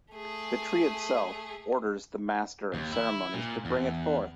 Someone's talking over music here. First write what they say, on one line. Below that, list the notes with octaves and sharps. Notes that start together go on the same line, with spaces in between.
The tree itself orders the master of ceremonies to bring it forth.
A3 G#4
D#2
E4
A#2
E2